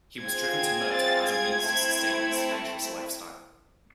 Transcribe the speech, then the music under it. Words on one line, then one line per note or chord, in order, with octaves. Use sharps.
He was driven to murder as a means to sustain his adventurous lifestyle.
C4 F4 G#4 G#6
A6
G#6
A3 C4 E4